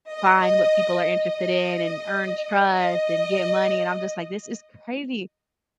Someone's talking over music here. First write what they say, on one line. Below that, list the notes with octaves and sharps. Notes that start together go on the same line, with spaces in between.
find what people are interested in and earn trust and get money, and I'm just like, "This is crazy."
D#5
D#5
D#5
D#5